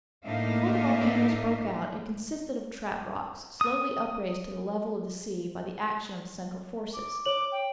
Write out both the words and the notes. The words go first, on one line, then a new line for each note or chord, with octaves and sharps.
Before the volcanoes broke out it consisted of trap rocks slowly upraised to the level of the sea by the action of central forces.
A2 A#3 D4 D#4 E5 F5
D#6
D6
C#5 D6 F#7
G5